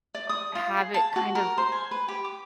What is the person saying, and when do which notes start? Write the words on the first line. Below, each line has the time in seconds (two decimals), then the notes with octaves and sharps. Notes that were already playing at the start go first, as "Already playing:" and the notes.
Have it, kind of
0.15 D5
0.29 D#6
0.55 F4
0.77 G#4
0.94 A5
1.16 F#4
1.35 A#4
1.58 C5
1.72 G#5
1.91 B4
2.08 G4
2.25 D6